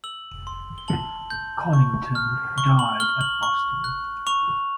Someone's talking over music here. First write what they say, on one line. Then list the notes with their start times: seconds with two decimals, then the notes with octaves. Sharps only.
Conington died at Boston.
0.04 E6 F#7
0.47 C6
0.78 G7
0.88 A5 F#7
1.30 G6
1.73 C#6
2.15 F6
2.58 C#6 G7
2.79 F#7
3.00 F6 G7
3.21 F#7
3.43 C#6
3.84 F#6
4.27 C#6 F7